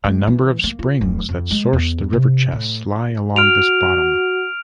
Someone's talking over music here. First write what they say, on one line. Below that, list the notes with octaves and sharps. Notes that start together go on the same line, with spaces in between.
A number of springs that source the River Chess lie along this bottom.
G#3
E3
A#3
F4
D1
F2
G#3
E2
C3
A2
F#4 F6 D7 F7